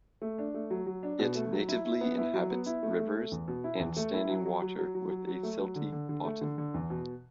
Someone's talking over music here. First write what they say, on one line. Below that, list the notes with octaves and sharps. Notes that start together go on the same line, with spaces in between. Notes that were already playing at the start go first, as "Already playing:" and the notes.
It natively inhabits rivers, and standing water with a silty bottom.
A3
D4
A3
F#3
F#3
D4
B2
A3
F#3
E4
E4
B3
E4
F#3
B3
E4
A3
A3
A3
E2
B2
E4
E2
A3
E4
F#3
F#3
F#3
F#3
F#3
F#3
F#3
A3
F#3
D3
D3
D3
A3
D3
D3
E2
B2